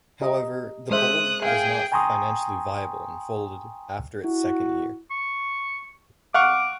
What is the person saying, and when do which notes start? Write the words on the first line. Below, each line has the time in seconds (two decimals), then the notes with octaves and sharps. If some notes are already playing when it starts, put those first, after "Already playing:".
However, the bowl was not financially viable, and folded after its second year.
0.21 G4 D#5 A#5
0.91 G#3 C5 E5 D#6 F#6
1.42 G#4 E5 F5 G5
1.92 G5 G#5 A#5 C6 C#6 D#6
4.24 E4 F#4
5.11 C#6
6.34 F5 F#5 C#6 D6